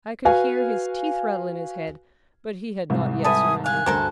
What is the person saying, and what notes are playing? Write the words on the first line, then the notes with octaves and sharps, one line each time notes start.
I could hear his teeth rattle in his head, but he had not yet surrendered.
F#4 B4 F5 G#5
C2 G#2 C3
A4 B4 E5 G#5 D#6
F5 G#5 F#6
D2 G2 A4 A#4 C5 A5